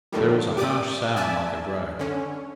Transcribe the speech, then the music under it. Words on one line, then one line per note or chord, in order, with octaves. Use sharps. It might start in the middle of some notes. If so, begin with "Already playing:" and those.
There was a harsh sound like a groan.
F2 A2 D3 D#3 G3
G4 D5 D6 D#6
D5 E5 G#5 A5
D3 C#4